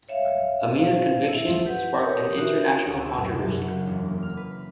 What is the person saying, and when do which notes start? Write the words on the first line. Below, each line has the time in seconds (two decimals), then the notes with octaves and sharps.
Amina's conviction sparked an international controversy.
0.09 C#5 E5 F5
0.75 C5 F5
1.28 E4 E5
1.66 G4 B4 F#5
1.99 G4 A#4 B4 C#5 D#6
2.38 F#4 G4 A#4 E5
2.86 D2
2.99 E5
3.17 F#2
3.31 C3
3.45 F#2
3.69 C#3
3.87 E1
4.05 A#3
4.22 F6
4.37 B4
4.51 B5